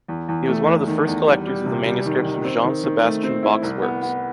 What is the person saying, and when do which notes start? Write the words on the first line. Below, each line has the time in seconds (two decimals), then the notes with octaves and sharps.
He was one of the first collectors of the manuscripts of Jean-Sébastien Bach’s works.
0.08 E2
0.28 E2
0.48 A3
0.67 E2
0.87 D#3
1.07 E2
1.27 G3
1.46 G3
1.66 C3
1.85 G3
2.06 D#3
2.25 D#3
2.44 C4
2.64 D#3
2.83 D#3
3.03 A3
3.23 C4
3.43 E4
3.63 C2
3.82 B3
4.02 B3